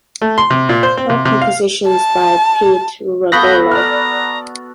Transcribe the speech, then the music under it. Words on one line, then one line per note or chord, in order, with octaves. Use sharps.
All compositions by Pete Rugolo.
A3
C6
C3
A#2
C5
C4
C3
C3
F5
A5
B3 F#4 A4 F5 B5 F#6 G6 A#6
D5 A#5 F6